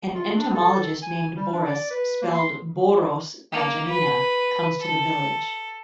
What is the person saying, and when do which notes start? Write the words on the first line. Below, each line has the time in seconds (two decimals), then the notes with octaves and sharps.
An entomologist named Borys–spelled "Boros" by Janina–comes to the village.
0.15 F4
0.36 D4
0.55 A4
1.03 G#5
1.37 G3
1.52 D4
1.65 D5
1.90 B4
2.22 A#3
2.35 C6
3.52 A#3
3.87 B4
4.79 A4